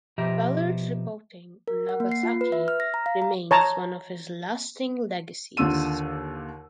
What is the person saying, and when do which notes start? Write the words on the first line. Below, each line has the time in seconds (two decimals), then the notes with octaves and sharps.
Weller's reporting on Nagasaki remains one of his lasting legacies.
0.18 B2 F3 G4 E5 A#5
1.68 A#4
1.89 F#5
2.00 A#3
2.12 C7
2.23 F4
2.41 B4
2.52 E5
2.68 F6
2.80 A#6
2.94 A#5
3.06 F5
3.22 A#5
3.51 C#5 A5 A#5
5.57 D#2 D3 F4 E6 D#7